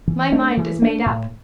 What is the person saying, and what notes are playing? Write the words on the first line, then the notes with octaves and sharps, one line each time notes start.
My mind is made up.
E3
A3 D4
E3
A3 D4
A2